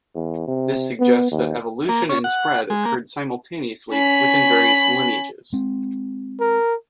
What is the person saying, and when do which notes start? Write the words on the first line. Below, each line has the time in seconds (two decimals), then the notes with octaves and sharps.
This suggests that evolution and spread occurred simultaneously within various lineages.
0.15 E2
0.48 C3
0.99 B3
1.31 D#2
1.89 A#3
2.09 C#4
2.24 F#5
2.70 G#3
2.85 A#3
3.92 C#4 B5
5.53 G#3 C4
6.40 A#4